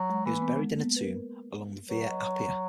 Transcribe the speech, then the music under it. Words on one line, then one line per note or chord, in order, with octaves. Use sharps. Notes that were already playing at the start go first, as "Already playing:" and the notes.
He was buried in a tomb along the Via Appia.
Already playing: F#3
G#3
E3 A#3
B3
G#3
A#3
B3
B4
A#4
F#3 B4
D#5
C#5